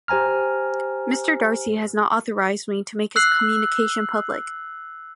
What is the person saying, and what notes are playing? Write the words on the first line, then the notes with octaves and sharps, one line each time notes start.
Mr. Darcy has not authorised me to make his communication public.
G4 C5 G#5 A#5 F6
E6 F#6 C7 F#7